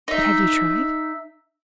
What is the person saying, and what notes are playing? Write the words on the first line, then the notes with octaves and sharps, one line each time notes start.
But have you tried?
D#4 E5